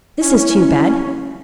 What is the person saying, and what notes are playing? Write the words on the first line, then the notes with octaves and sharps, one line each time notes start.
This is too bad!
C#4 E4